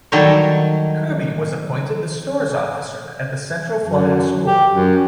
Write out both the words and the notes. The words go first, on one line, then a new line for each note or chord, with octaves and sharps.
Kirby was appointed the Stores Officer at the Central Flying School.
D#3 F#3 G3 A4 A#4 C#5
F#2
G4
F#2